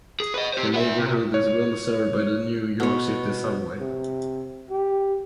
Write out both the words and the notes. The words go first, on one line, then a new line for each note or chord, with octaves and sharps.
The neighborhood is well-served by the New York City Subway.
G#4
B4 D#5
G4 C5
B3 E5
C3
C#5
B2 C#5
C3
G4